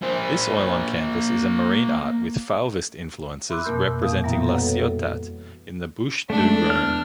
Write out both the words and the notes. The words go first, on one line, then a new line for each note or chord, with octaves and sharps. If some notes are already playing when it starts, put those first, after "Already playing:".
This oil on canvas is a marine art with Fauvist influences representing La Ciotat, in the Bouches-du-Rhône.
A#3 C5
E5 B5 C6 D6 E6 F#6
F2 B2 A#3 A#4 G6
F2 A#2 E3 F5 D#6
G3 A#3 B3 E4 E5 A#5
F#4 A4 B4 C#5 F#5
G#3 A3 D4
E2 F6